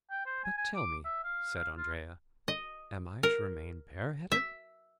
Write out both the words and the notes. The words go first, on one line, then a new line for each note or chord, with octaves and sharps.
"But, tell me," said Andrea, "am I to remain bareheaded?"
G5
C5
G#5
G#5
D6
E5
F5
F5
F4
D#5
A#4
E5